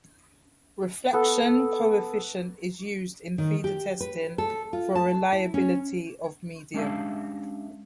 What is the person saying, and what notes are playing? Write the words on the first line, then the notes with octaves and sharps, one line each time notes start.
Reflection coefficient is used in feeder testing for reliability of medium.
B3 A4
D#3
G4
B4
A4
F4
A5
E4
C#4
G#3 C#4 D4 G4 E5 F5